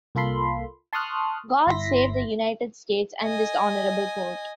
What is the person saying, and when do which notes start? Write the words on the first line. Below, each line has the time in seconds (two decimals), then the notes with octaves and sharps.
God save the United States and this Honorable Court.
0.15 C2 A#3 F4 A4 B5 C6
0.93 A5 C6 C#6 D#6 F6 F#6
1.67 G1 E4 C6 A#6 B6
3.24 D#5 G#5